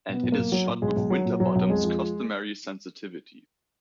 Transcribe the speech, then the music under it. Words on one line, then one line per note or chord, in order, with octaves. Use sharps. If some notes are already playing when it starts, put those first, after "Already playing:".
And it is shot with Winterbottom's customary sensitivity.
B2 B3
B1
A#3
B1
F#3
A#2
B1 G#3
B1
F#3
A#2
B1 F#3
B1
F2 G#3
F3